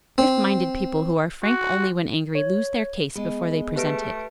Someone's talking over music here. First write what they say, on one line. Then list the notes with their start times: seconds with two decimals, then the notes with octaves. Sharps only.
Stiff-minded people who are frank only when angry lose their case before they present it.
0.18 C4
1.43 F#4
2.35 C#5
3.15 G#3 B3 D#5
3.76 A3 G4 B4 D7